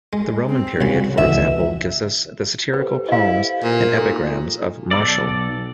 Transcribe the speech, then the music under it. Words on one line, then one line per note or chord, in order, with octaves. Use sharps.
The Roman period, for example, gives us the satirical poems and epigrams of Martial.
G#3
C4
C2 C#3 E3 F#4
C#2 D3 E3 E5
G4 A4 B4 C5
E4 D#5 F5
A#2
D#4 A4
B1 A4 D5